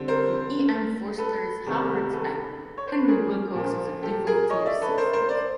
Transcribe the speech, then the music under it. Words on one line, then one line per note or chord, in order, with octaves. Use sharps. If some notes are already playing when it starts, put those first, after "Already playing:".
In E. M. Forster's "Howards End", Henry Wilcox is a devotee of Simpson's.
Already playing: D3 G3 C4
A#4 C5
A4 B4
E2 C3 D#3 G3 B3
A4 B4
C#5
C5
B4
G#4 A#4
A#2 F3 A#3
G4 A4
G#4 A#4
C#5 D#5
D5 E5
A4 B4
A#4 C5
A#4 C5
C5 D5